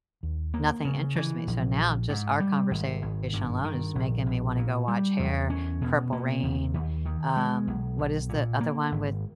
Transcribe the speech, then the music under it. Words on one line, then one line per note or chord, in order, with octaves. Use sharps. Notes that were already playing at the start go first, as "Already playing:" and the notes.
Nothing interests me, so now, just our conversation alone is making me wanna go watch Hair, Purple Rain, um, what is the other one with,
D#2
A#3
C#3
E3
A#1
A#1
G#2
G3
G#1
G#1
G2
D#3
A#1
A#1
A#2
G3
E2
C#4
B2
A#3
D#2
D#2
D#3
G#3
B1
B1
A#2
A#3
G#1